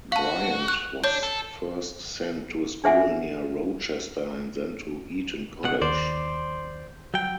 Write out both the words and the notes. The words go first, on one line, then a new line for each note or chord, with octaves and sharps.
Bryant was first sent to a school near Rochester, and then to Eton College.
F#4 F5 A5
F#6
D4 C#5 G6
A4
D4 G#4 C5 E5 F#5 G#5
C#2 B2 F#5
D#2 C5 D5
F#3 G5